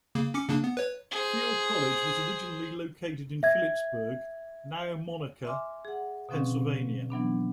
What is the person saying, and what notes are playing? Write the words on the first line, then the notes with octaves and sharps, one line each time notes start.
Thiel College was originally located in Philipsburg, now Monaca, Pennsylvania.
C#3 A#3
C#4 D6 C#7
C#3 A#3 D4
B3
B4 C#5
G#4 C5
E5 G#6
E5 G#5 C6 D6 F6
G#4 F#5
B2 D3 F3 C4 C#4
E3 F#3 B3 D4